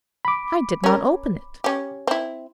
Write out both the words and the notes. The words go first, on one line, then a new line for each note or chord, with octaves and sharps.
I did not open it.
B5 D6
C#4 A#4
C#4 G4
C4 E4